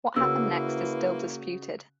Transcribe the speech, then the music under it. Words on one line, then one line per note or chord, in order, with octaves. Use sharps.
What happened next is still disputed.
C#3 A#3 E4 F#4 B4 E6